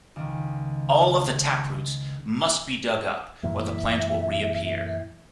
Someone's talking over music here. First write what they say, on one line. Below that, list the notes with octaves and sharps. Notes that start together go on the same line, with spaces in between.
All of the taproots must be dug up, or the plant will reappear.
C#2 D#3
F#2 A#2 E3 E5